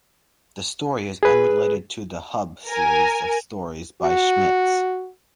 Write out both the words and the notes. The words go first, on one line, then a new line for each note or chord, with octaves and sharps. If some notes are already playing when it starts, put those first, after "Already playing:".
The story is unrelated to the "Hub" series of stories by Schmitz.
G#4 B4
A#4 G#5
F#4